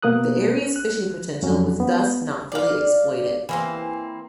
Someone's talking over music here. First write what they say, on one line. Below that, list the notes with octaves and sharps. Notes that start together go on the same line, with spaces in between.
The area's fishing potential was thus not fully exploited.
B2 A#3 B3 A#4 D#6 F#6
F#6
F2 F#3 C#4
B3
D5 F5
E3 A#3 C4